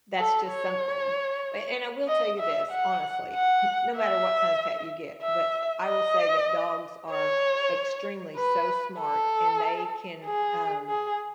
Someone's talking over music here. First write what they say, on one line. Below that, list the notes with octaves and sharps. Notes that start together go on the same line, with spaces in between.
that's just something, a and I will tell you this honestly, n no matter what kinda pet you get but I will say that dogs are extremely so smart, and they can, um
A4
C#5
D#5
E5
F#5
F#5
E5
E5
D#5
C#5
B4
A4
G#4
G#4